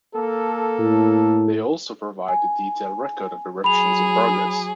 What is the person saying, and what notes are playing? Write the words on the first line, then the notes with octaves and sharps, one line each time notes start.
They also provide a detailed record of eruptions in progress.
A#3 A4
A2
G#5
F#3 G#4 B5 F7